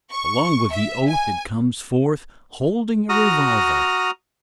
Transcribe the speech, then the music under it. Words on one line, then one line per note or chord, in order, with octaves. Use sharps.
Along with the oath it comes forth, holding a revolver.
C#6
E5
G#5
F#4 A#5 D#6 F6